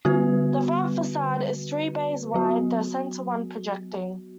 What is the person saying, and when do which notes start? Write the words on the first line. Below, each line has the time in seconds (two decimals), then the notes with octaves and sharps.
The front facade is three bays wide, the center one projecting.
0.05 D3 G3 B3 F#4 B4
2.34 F#3 B3 F#4